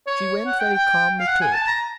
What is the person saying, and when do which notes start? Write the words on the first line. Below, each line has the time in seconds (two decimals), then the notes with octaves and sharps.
She went very calmly to it.
0.07 C#5
0.46 F#5
0.59 G5
0.73 G5
1.19 F5
1.27 F#5
1.41 G#5
1.53 A5
1.67 A#5